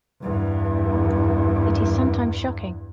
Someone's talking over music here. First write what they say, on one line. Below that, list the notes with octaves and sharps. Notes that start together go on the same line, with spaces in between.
It is sometimes shocking.
E2 G2